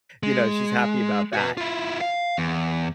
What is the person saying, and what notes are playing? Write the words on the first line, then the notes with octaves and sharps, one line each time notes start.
you know, she's happy about that.
G#3
F#4 B4
E4 F4
F5
E2